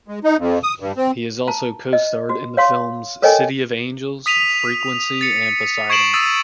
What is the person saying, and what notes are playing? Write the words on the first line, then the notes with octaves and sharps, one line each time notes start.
He has also co-starred in the films "City of Angels", "Frequency" and "Poseidon".
G#3
D#4
F2
D#6
G2
C4
A5 A#5
D#5
F#4
C#5 F5 C6
A4 A#4 C#5 D#5 G5 G#5
D#6 B6 D#7 F7
A6 C#7
C#6 G#6 C7 D7 E7 F#7
D#6 E6 A6 D#7